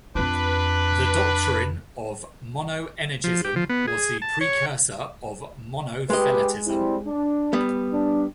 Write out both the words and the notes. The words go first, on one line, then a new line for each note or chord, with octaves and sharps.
This doctrine of "Monoenergism" was the precursor of Monotheletism.
F2 D4 F4 B4
F3
G4
F3
B3
G#4
A5
C#5
G#3 G4 B4 D#5
G3 C4 E4
D4
G3 B3
D4